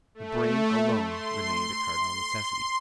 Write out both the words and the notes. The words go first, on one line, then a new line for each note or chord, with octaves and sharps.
The brain alone remained a cardinal necessity.
A3
C6